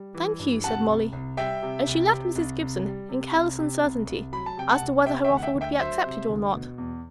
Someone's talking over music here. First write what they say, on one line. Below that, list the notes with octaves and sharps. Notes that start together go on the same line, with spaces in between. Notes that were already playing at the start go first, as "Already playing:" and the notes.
"Thank you," said Molly: and she left Mrs. Gibson in careless uncertainty as to whether her offer would be accepted or not.
Already playing: G3
E3
G2
C3 F#5 A5
C2
C2
G3 E5 G5
C3
C2
C3
C2
C2
G3
C3
C2
C3
C2
C2
F#3 B5
A5
C3 G5
F#5 A5
C2
C3 E5 G5
E5 G5
D2
F#5
E5 G5
D2
E5 G5
F#3 C5 E5
C3
D2
B2
E2